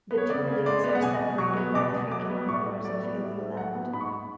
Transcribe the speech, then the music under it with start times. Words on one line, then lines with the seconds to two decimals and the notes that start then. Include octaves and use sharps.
The two lakes are separated by three kilometers of hilly land.
0.11 B3
0.18 C#5
0.30 C#3 D5
0.47 C#3
0.66 G#3 D5
0.84 B3
0.95 F#5
1.02 B2 G#5
1.21 B2
1.38 F#3 C#6
1.57 B3
1.75 B2 D6
1.93 B2
2.11 F#3 D6
2.30 B3
2.48 A2 C#6
2.66 A2
2.85 F#3 D5
3.03 B3
3.21 A2
3.39 A2
3.57 F#3 F#5
3.75 B3
3.93 G#2 B5
4.01 C#6
4.08 B5